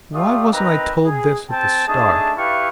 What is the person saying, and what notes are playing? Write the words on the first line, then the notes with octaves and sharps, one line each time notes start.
"Why wasn't I told this at the start?"
A3 F4 G4 D5 D#6
C4 D#4 A#4 B4 D#5 A#5
G#4
C4 G5 A5
A3 D4 D#4 G#4 A5 D#6
E4 G4 B4 E5 F5 C#6